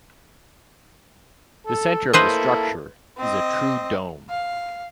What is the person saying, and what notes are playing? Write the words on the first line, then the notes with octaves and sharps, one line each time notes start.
The center of the structure is a true dome.
A4
A#3 E4 A4 B4 C5 D#5
C4 D#5
F5